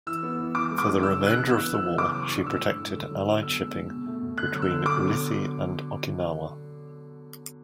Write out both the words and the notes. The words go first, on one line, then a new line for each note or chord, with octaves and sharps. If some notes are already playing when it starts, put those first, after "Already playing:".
For the remainder of the war, she protected Allied shipping between Ulithi and Okinawa.
E3 E6
B3
E3
E3 D6
G#3
D6
D4
C#3 E6
E3
F#6
B3
E3 E6
B3
E6
E3
C#3 D6
F#3
C#6
D4
A2 E6
G#3
A2
D3
F#3
D4
B2 E6
G#3
B2
B2
A3
B2
D3 F#6
F#3
E6
D3
B2 D6
F#3